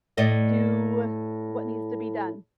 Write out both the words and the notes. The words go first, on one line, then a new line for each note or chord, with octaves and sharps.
do what needs to be done.
A2 D5 D#5